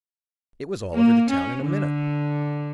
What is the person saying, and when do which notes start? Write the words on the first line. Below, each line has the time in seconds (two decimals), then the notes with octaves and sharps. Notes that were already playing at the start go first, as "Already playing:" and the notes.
It was all over the town in a minutes.
0.94 A#3
1.30 C#4
1.64 D3